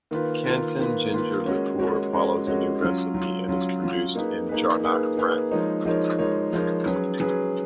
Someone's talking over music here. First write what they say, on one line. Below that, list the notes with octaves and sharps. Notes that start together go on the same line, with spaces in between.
Canton Ginger Liqueur follows a new recipe and is produced in Jarnac, France.
D#3 A#3 F4 B4
D#3 A#3 F4 B4
D#3 A#3 F4 B4
D#3 A#3 F4 B4
G#3 C#4 F#4 A#4 C#5
G#3 C#4 F#4 A#4 C#5
G#3 C#4 F#4 A#4 C#5
G#3 C#4 F#4 A#4 C#5
F#3 C#4 F4
F#3 C#4 F4
F#3 C#4 F4
F#3 C#4 F4
A#3 D#4 G#4 B4
A#3 D#4 G#4 B4
A#3 D#4 G#4 B4
A#3 D#4 G#4 B4
F3 G#3 D#4 A#4 C#5
F3 G#3 D#4 A#4 C#5
F3 G#3 D#4 A#4 C#5
F3 G#3 D#4 A#4 C#5
F#3 C#4 G#4 B4
F#3 C#4 G#4 B4